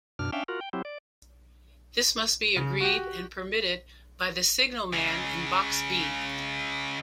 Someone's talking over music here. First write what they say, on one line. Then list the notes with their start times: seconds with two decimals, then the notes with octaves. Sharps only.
This must be agreed and permitted by the signalman in box B.
0.19 F#2 B2 D4 F6
0.32 C#4 D4 E5 F5 G5
0.48 F4 F#4 A#4
0.61 G5
0.73 F#3 C4 E4 G4
0.85 D5
2.56 C#3
2.80 F#4 G4
4.93 C#3 G#3